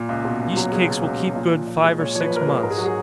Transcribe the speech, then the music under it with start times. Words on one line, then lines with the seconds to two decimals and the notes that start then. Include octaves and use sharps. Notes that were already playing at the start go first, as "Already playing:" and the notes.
Yeast cakes will keep good five or six months.
Already playing: A#2
0.09 C#2
0.25 B2
0.40 C#2
0.57 F#3
0.72 C#2 G#4
0.88 B2
1.04 C#2
1.20 F#3
1.36 A#2
1.51 F3
1.67 A#2
1.83 G#3
1.99 A#2 C#5
2.15 F3 C#5
2.21 B4
2.30 A#2
2.36 A#4
2.41 B4
2.47 G#3
2.63 G#2 A#4
2.70 G#4
2.77 F#3 F#4
2.86 G#4